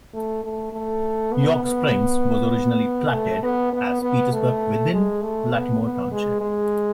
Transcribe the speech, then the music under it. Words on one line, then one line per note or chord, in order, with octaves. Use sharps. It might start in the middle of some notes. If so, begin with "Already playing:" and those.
York Springs was originally platted as Petersburg within Latimore Township.
A3
A3
A3
B3
B3
A3
B3
B3
B3
A3
G#3
A3
B3
B3
G#3
G#3